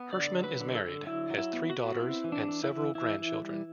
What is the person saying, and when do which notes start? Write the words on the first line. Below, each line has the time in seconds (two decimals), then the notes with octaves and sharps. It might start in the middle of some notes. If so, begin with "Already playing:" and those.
Hirshman is married, has three daughters and several grandchildren.
Already playing: B3
0.13 D3 D5
0.36 F#3
0.44 B4
0.60 D3
0.75 A4
0.84 D3
1.07 F#3 E4
1.30 F#3
1.38 E4
1.53 B3
1.70 F#4
1.77 B3
2.01 C4 E4
2.24 E3
2.32 D4
2.48 E3
2.64 E4
2.71 E3
2.95 E3 E4
3.18 E3
3.42 G3